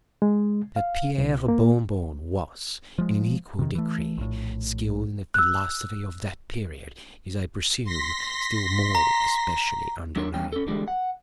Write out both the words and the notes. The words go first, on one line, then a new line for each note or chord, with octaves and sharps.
That Pierre Bon-Bon was, in an equal degree, skilled in the philosophy of that period is, I presume, still more especially undeniable.
G#3
F5
C2
A#3
F3 G#3
C3 D#3
E3 A3
A#1 A2
E6 F#6
C6 A#6 B6
A#5
F#3 D4 A#4 C#5
E2 G2 C#4 G5
C#4 A4
D3 E3 G3 G#3
F#5